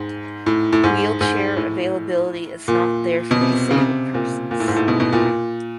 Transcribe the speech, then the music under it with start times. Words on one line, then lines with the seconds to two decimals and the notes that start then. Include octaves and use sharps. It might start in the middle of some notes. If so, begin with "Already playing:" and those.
Wheelchair availability is not there for disabled persons.
Already playing: G#2
0.46 A2
0.73 A2
0.84 G#2
1.21 G#2
1.57 A2
2.68 A#2
3.31 B2
3.41 C3
3.71 C#3
3.78 C3
4.14 A#2
4.51 A#2
4.60 A2
4.68 G#2
4.76 A2
4.88 B2
5.00 B2
5.12 A#2